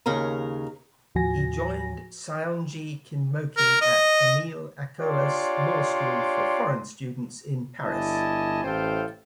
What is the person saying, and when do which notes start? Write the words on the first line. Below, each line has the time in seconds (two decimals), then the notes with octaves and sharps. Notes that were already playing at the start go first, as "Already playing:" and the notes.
He joined Saionji Kinmochi at Emile Acollas' Law School for foreign students in Paris.
0.06 D#2 C#3 A#4 A#5
1.15 D#2 A2 F3 F#4 G#5 A#6
3.57 A#4
3.82 D#5
5.01 D4 F4 G4 C#5 D5 C6
7.83 G1 E4 D5 D#5 G#5 A5
8.64 A1 A2 A4 C5 F5 G5